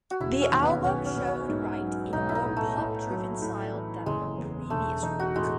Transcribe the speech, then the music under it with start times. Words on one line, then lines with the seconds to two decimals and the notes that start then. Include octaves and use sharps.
The album showed Wright in a more pop-driven styled than her previous work.
0.11 F#4
0.20 E1 E4
0.41 C#4
0.52 D#2
0.62 B3
0.84 B1 C#4
1.06 C#4
1.16 B2
1.27 C#4
1.49 G#2
1.81 F#3
2.13 B1 D#4
2.29 E4
2.35 D#4
2.45 A2
2.57 A3
2.78 A2
3.10 F#3
3.42 A2
3.74 E3
4.06 F#1 G#3
4.38 E2
4.70 E1 A3
5.03 E2 D#4
5.20 F#4
5.35 A2 G#3